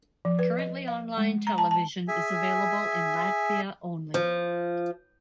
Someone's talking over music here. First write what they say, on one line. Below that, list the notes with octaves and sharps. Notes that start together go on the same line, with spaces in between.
Currently Online television is available in Latvia only.
F3
B4
D#5
F5
G#3
A#5
A5
A5
G#4 E5 G#5
F3